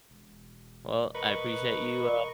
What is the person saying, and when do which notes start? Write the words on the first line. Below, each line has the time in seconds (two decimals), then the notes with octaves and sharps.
Well, I appreciate you, uh,
0.10 E1
1.15 A#4 B4 D#5 C#6